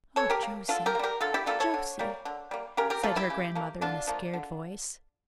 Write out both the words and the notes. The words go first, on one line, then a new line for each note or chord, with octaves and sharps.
"Oh, Josie, Josie," said her grandmother in a scared voice.
E3 A4 C#5
G4 A#4
A#3
D3 F4 A4
G4 A#4
A#3
G3 G4 A#4
D3 F4 A4
E4 G4
G3 A#3 F4 A4
A4 C#5
D3
G3 A#3
D3
G3 A#3
C#3 G4 A#4
G4 A#4
F3 A#3 F4 A4
E4 G4
C#3
F3 A#3
D3 D4 F4
F3 A#3
D3